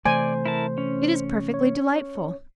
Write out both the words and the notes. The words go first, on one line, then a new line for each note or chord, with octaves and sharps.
It is perfectly delightful.
C3 E3 A3 C5 D5 G#5
E4 A#4 A5
C#4
C#5